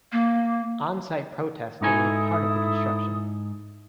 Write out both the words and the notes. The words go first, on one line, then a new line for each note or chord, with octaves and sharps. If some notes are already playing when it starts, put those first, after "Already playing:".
On-site protests delayed part of the construction.
A#3
G#2 D#4 E4 A4 G#5 D#6